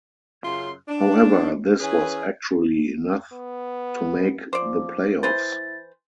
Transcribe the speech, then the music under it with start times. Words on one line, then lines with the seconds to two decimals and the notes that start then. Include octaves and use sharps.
However, this was actually enough to make the playoffs.
0.44 F#2 C#3 F4 C6
0.88 D4
1.80 E3 C#4 G#4 B4 G#5
3.32 B3
4.53 F3 C5 D5 D6
5.23 E3 E4 B4 C5 A6